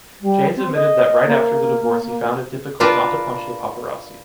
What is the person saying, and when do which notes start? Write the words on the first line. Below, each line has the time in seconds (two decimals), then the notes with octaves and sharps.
James admitted that right after the divorce he found it difficult not to punch the paparazzi.
0.21 G3
0.56 C4
0.74 D#5
1.27 A#3
2.80 D4 F4 A#4 B4 D5 A5